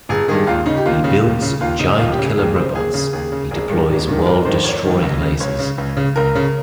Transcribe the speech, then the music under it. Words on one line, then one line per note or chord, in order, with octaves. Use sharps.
He builds giant killer robots, he deploys world-destroying lasers.
G1 G#4
G2 D#3 G#4
D#2 F4
C#3 D#4
G4
D#2 F4
C#3
D#2
C#3
D#2 F4
C#3 D#4
D#2 F4
G4
C#3
G#4
D#2 G#4
C#3 C5
D#2 G#4
C#3 G#4
D#2 G#4
C#3
G#1 G#4
G2 D#3
G#1
G2 D#3
G#1 A#4
G2 D#3 C5
G#1 C#5
G2 D#3
C#2
C#3
C#2 C#5
C#3
C#2
C#3
C#2 A#4
C#3